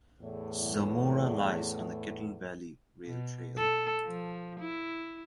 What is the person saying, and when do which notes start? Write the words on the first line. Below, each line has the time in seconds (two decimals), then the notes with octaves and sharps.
Zamora lies on the Kettle Valley Rail Trail.
0.21 E2 A2
3.06 B2
3.57 A4
4.05 F3
4.60 E4